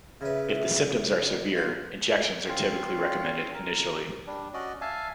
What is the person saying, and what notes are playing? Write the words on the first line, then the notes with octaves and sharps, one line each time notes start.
If the symptoms are severe, injections are typically recommended initially.
C#3 B4 E5
D#5
B1 D#4 F4 F5
C4 C#4 F4 F5
A#4
G3 D4
C#4 F#4 D5 D#5
E5 F5 G#5 A5